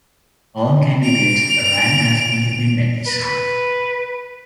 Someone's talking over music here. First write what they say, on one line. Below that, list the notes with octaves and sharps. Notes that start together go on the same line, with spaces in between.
All candidates ran as independents.
D7 F7
B4